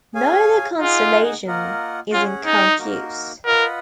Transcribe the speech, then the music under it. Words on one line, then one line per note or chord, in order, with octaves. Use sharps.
Neither constellation is in current use.
G#4 C#5 F5 G#5
D#4 F4 G#4 D#5 F#5
A#3 F4 A#4 D#5 F#5
C#4 F4 G#4 C#5 F#5
D#4
A#3 D#4 F#4 A#4
F4 A#4 B4 D#5 F#5